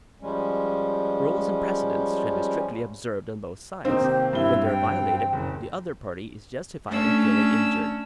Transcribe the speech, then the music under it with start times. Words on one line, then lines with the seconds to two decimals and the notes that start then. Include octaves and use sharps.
Rules and precedents should be strictly observed on both sides; when they are violated, the other party is justified in feeling injured.
0.22 F3 G3 G#3 C#4
3.85 C3 D#3 A#3 C4 D#4
4.03 G4
4.33 G2 E4 G7
4.64 G5
5.33 F#1
6.88 A3 C#4 D4 E6